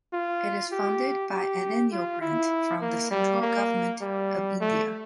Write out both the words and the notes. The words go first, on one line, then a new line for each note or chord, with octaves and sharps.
It is funded by an annual grant from the Central Government of India.
F4
G4
G4
F4
E4
A#3
G3
A#3
G3
A3